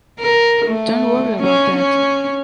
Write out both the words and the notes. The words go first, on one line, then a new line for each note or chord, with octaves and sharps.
Don't worry about that.
A#4
A3
C#4
C#4